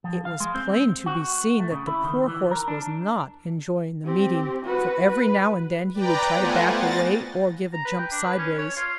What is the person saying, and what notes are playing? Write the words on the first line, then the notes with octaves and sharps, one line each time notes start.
It was plain to be seen that the poor horse was not enjoying the meeting, for every now and then he would try to back away, or give a jump sideways.
F3
F5
G#3
C4
F#4
A3
C#3
E4
D#3
E3
A#4
D4
C4 G4
F#4 B4
B4
B4 D5 G5 A#5
A3 B3 F4 C5 F#5 G#5
A6 A#6
A#5
B4
G5
D4
B4
C#4
C#5
F4